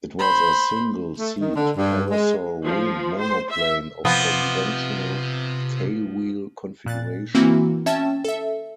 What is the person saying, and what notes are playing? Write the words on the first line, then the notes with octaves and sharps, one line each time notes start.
It was a single-seat parasol wing monoplane of conventional tailwheel configuration.
C5 B5
A3
D#3
D3
G2
G#3
F3
C5
E5
C3 F3 B3
A#2 F#6 A6
E3 A#3 C4 E4 F#4
C#4 E5 G5 A5 A6 E7
A4 E5